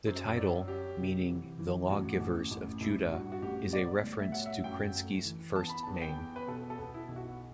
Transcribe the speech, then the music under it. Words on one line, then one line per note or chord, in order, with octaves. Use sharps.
The title, meaning "The Lawgivers of Judah", is a reference to Krinsky's first name.
F#2 C5
F#3 D5
F#3 G4
C3
E3
E3
A1 F#4
A1
A1
A1 E4
G2 F#4
F#4
A1 G4
B3 D5
A2
E5
F#3 F#5
E5
F#2 G5
A3
E3
B3 A5
B5
A5
E2
G5
E2
B4
B2 A4
A4
B3
E4
B1
F#4